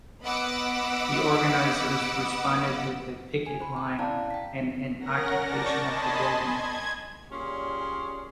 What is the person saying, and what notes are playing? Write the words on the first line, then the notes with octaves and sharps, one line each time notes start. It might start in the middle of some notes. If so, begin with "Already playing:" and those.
The organizers responded with a picket line and an occupation of the building.
B3 D#5 F#5 B5 D6 E6
G#5
C5 B5
G5
C#4 E4 D5 F5 A5 A#5
G5 B6
C#4 A#4 F#5 A#6
D5 A5 C#6 G6 A6 A#6
D#5 G#5 A5 B5 C6
G#6
A#2 G3 C#4 G#4 C#5 C6